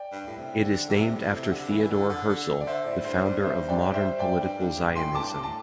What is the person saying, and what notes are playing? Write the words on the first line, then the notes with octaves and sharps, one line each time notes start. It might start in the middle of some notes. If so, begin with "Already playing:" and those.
It is named after Theodor Herzl, the founder of modern political Zionism.
Already playing: D5 G5
G2
A2
C3
D3
C3
A2
C3
D3
E3
D3
D3
D3
D5
D3 C5 E5
A2 D5
G2 C5
G2 D5
C5 E5
D5 G5
C5 E5
D5 G5
G2
G2
A2
A2 G5 C6
G2 A5 D6
A2
A5